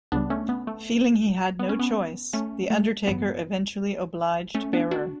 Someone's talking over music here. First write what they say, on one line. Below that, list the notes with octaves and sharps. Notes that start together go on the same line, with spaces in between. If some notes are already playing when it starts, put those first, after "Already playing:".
Feeling he had no choice, The Undertaker eventually obliged Bearer.
C#2 C#3 G3 B3 D4
A3 C#4
B3
A3
B3
C#4
B3
A3 C#4
A3
A1 G2 F#3 B3
A3 C#4
B3 D4
D4 F#4